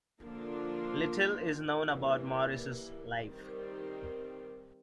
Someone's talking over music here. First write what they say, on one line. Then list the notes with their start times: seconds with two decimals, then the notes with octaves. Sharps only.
Little is known about Morrice's life.
0.23 D3 F3 A#3 D4 F4
1.74 E3 G3 A#3
3.24 D#3 G3 C4